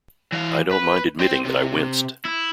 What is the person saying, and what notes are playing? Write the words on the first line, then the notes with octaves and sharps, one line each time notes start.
I don't mind admitting that I winced.
E3 F5
B4
C4 G5
C3
E4